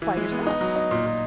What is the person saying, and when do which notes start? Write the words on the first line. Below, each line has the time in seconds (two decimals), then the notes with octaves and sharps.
by yourself,
0.02 E3
0.17 G#3
0.32 B3
0.46 D#4
0.61 F#3
0.76 D#4
0.91 A#2
1.06 A#2